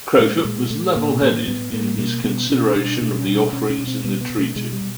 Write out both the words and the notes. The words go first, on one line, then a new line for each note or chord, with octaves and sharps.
Crowfoot was levelheaded in his consideration of the offerings in the treaty.
A#2 G#3
A#2 G#3
A#2 A3
A2 A#3
A2 A#3
A2 B3
A2 A#3
B2 A#3
B2 B3
B2 C#4
B2 D4
B2 D4
C#4
B2
D4
B2 C#4
C#4
B2
C4
B2 B3
B3
B2
A3
B2 G#3
G3
B2